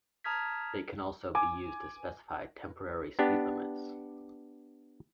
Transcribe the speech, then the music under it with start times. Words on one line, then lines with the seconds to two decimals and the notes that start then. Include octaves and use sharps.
They can also be used to specify temporary speed limits.
0.24 A5 A#5 D#6 F6 G#6 B6
1.35 G#5 D6
3.19 B3 D4 G4